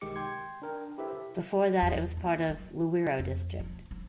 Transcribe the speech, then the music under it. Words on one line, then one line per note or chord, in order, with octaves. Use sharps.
Before that, it was part of Luweero District.
B1 D#3 G#3 G4 D6 C#7
G5 C6 G#6
D4 A#4 G5
E4 G4 A4 B4 C5 E5
E2
D#2
F#3
F2
F3
F3